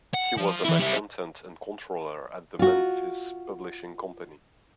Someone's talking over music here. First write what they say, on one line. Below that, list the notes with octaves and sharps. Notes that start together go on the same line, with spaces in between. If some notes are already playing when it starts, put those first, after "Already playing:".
He was an accountant and controller at the Memphis Publishing Company.
F#5
F3
E3 E4
G3 E4
F4 F#4